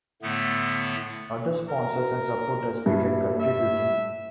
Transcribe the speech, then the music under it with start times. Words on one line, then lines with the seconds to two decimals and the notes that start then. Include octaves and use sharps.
Other sponsors and supporters began contributing.
0.22 A2 D3 A3 B3
1.70 A#4
2.86 G2 E4
3.40 E5